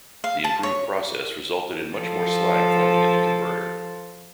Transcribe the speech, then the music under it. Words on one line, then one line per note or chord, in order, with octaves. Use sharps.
The improved process resulted in much more slag forming in the converter.
F5
A5
C#5
F3 A4